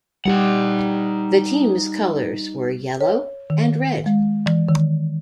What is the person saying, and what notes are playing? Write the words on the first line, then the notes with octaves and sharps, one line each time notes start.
The team's colors were yellow and red.
G3 D#4 G4 F#5
C#5
D#3
G#3
E3
D#3